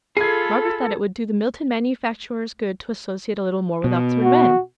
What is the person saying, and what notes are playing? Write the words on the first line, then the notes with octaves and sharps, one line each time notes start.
Margaret thought it would do the Milton manufacturers good to associate a little more with Oxford men.
F4 G#4 A4 B5 G#6 C7
B2
F#4